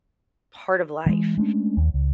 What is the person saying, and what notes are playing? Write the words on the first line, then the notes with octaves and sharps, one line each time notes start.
part of life,
E3 G#3
G#3 A3 C#4 D4
D#2
C#2